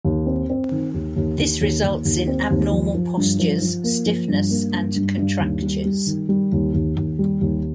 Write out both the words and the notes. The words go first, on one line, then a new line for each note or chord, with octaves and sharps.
This results in abnormal postures, stiffness and contractures.
D#2
C4
C4
D#3
D#2
D#2
D#2
D#2
D#2
D#2
C4
D#2
F3
F3
G2
F3
F3
A#3
F3
G2
A#3
G2
G2
G2
D#2
G3
G3
D#3
G3
D#2
D#2
D#2
G3
D#2